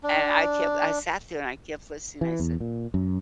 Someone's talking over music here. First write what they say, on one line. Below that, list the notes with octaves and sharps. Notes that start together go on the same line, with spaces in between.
and I kept I sat there and I kept listening I said,
D4
E3
E2
A#2
F#2